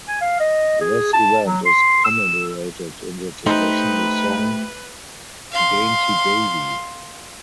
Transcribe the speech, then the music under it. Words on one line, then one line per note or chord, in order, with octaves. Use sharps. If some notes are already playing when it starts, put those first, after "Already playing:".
This event is commemorated in the traditional song "Dainty Davie".
G#5
F5
D#5
G#4
A5
F#3
C6
E6
A3 D#4 G4 B4 C5
F5 C6